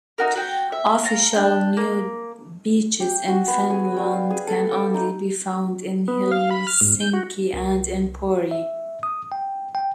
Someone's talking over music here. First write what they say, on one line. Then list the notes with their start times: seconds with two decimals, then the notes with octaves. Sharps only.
Official nude beaches in Finland can only be found in Helsinki and in Pori.
0.18 D#4 F#4 A#4
0.36 F#4 G5
0.72 E5
1.04 F5 A5 A#5
1.33 D4 G5
1.77 A#3
3.00 G4
3.28 F#4
3.48 B3
3.70 G#4
3.97 G3
4.13 F5
4.30 G#4
4.47 A4
4.72 D6
4.94 D#4
6.08 B3
6.32 F5
6.51 B5
6.67 F6
6.81 G#2
7.00 G6
7.13 F#4
7.53 C2
8.51 E5
9.03 D#6
9.32 G5
9.75 G5